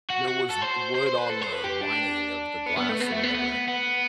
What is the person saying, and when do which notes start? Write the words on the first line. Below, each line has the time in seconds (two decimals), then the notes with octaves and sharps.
there was w wood on the lining of the glass or whatever,
0.10 F#4
0.28 F#4
0.50 A4
0.62 C5
0.95 C5
1.07 C5
1.18 B4
1.30 A4
1.41 C5
1.53 B4
1.64 G4
1.81 D4
2.66 B3
2.77 B3
2.89 A3
3.00 B3
3.12 A3
3.23 B3
3.35 B3
3.68 B3